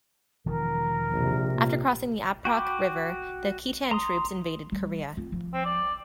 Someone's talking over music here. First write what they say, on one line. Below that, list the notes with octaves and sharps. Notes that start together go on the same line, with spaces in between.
After crossing the Aprok River, the Khitan troops invaded Korea.
E1 D#3 F3 A#4
A#1 C3
A#2
F#4 G5 B5 D6
A#5 C6 D#6
G3
C4 F4
F3
C4
D5